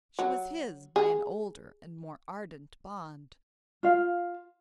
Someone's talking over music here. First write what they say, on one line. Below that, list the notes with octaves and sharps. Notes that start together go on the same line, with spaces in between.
She was his by an older and more ardent bond.
F#3
G#4
F4 F5